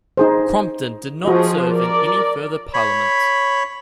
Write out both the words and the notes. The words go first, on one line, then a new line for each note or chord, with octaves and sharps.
Crompton did not serve in any further Parliaments.
D#4 G#4 C5
F3 F#4 G#4 D#5
A#4 D5
C#5 B5